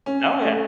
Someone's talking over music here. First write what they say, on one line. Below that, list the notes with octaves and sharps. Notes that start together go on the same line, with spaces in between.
Oh, yeah.
C#4
A3